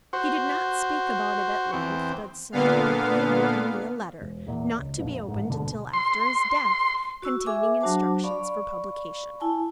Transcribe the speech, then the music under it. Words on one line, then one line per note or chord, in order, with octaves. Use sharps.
He did not speak about it at length, but said that he had written me a letter, not to be opened until after his death, containing instructions for publication.
F#4 C5
E2 C4
A#2 D3 B3 F5
E1
E2 A#2
C#2
F1 A#1 B2
A1 G#2
D#1 G#1 B2 D3
C6
F#4 C#6 E6
G#4 E5 G#5 D6
F#3 D4 F#4 C5 A5 D6
D5 F5 B5 C#6
E4 G#5 A5